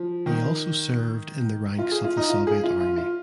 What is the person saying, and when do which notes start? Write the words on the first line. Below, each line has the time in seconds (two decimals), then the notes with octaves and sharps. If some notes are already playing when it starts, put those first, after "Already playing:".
He also served in the ranks of the Soviet Army.
Already playing: F3
0.26 D#3
1.78 F4
1.92 G#4
2.04 F4
2.17 D#4
2.29 F4
2.47 G#4
2.64 F4
2.80 F4
2.97 F4